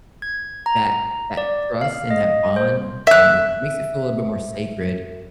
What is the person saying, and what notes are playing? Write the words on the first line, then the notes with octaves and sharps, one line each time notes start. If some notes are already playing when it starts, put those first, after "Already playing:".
that that trust and that bond, um, it makes it feel a little bit more sacred
G#6
A#5
D5
F5
D#5
C5
E5 F#6